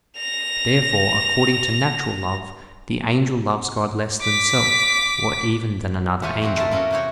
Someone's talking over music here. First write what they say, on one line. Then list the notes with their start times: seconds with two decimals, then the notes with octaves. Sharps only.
Therefore, according to natural love, the angel loves God less than self, or even than another angel.
0.17 A#6 F7
4.21 D6 B6
6.22 E2 A3 F4 G4 C#5 G#5
6.42 C4 D4 F#4 G4 C5
6.56 G#3 A3 A#4 E5 G#5 A5
6.71 A#3 C#4 F#4 A4 A#4
6.91 C3 A#3 F#4 G4 C#5